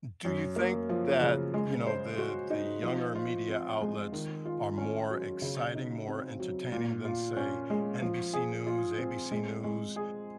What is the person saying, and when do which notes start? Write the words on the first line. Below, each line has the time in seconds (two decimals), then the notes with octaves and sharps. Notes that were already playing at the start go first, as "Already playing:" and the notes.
Do you think that, you know, the the younger media outlets are more exciting, more entertaining than, say, NBC News, ABC News,
0.25 F#2
0.56 A#3
0.89 F3
1.21 C#3
1.54 G#3
1.87 C5
2.18 F#4
2.50 D#4
2.83 F3
3.15 F4
3.48 C4
3.81 G#3
4.13 D#3
4.45 F4
4.78 C#4
5.10 F#3
5.42 C#3
5.75 D#4
6.07 C4
6.40 F#3
6.72 A#2
7.05 F4
7.37 C#4
7.70 G#3
8.02 F3
8.34 G#4
8.66 F4
8.98 C4
9.31 G#3
9.64 G#3
9.96 G#4